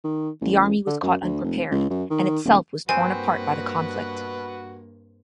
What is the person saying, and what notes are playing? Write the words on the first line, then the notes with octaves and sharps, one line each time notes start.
The Army was caught unprepared, and itself was torn apart by the conflict.
D#3
A1
D3
F#2
D2
F1
C#2
F#2
D#3
D#1
G2 A#3 C4 F#4 B4 G#5